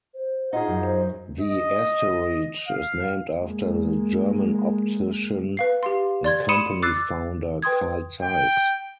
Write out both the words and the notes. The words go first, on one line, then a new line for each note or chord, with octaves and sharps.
The asteroid is named after the German optician and company founder Carl Zeiss.
C5
D#4 F4 G#4 F#5
F#2
C5
D#5
F5
G#3 A#3
B4 F5 C7
G4 F5 C6
D5 C6 G#6
B5 C6 D#6 C#7 D#7 E7
D6 E6 F#6 A6 C7
B4 G5 C6 D#6 G#6
G5